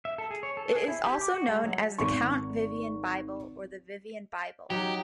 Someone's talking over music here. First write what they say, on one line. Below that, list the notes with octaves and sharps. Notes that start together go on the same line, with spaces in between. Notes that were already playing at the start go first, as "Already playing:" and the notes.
It is also known as the Count Vivian Bible or the Vivian Bible.
E5
A4
G#4
C#5
A4
G#4
E4
G4
D6
F#4
G#3
F#3
G#1 C#6
F#3 D#4 G4